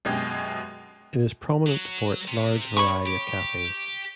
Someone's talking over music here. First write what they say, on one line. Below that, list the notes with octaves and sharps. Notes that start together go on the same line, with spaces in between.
It is prominent for its large variety of cafes.
F#2 B2 G#3 G4 G#4
F#3
C3
C#5 B5 C#6
G4